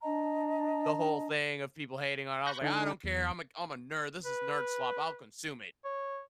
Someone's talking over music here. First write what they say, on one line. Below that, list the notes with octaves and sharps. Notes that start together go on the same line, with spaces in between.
the whole thing of people hating on it, I was like, "I don't care! I'm a c I'm a nerd. This is nerd slop. I'll consume it."
D4 D#5 A5 A#5
B5 C#6 F#6 G6 A#6
D3 D4 D#4
E2
B4
C#5